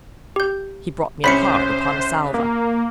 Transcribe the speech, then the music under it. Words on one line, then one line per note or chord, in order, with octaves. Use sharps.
He brought me a card upon a salver.
G4 G6
C2 C#4 C5 B5 B6 C#7
A#3